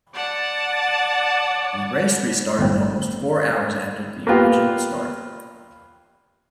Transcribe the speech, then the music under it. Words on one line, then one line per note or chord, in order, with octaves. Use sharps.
The race restarted almost four hours after the original start.
D5 F#5 A5
G1 A2 C4
A#3 B3 F4 G4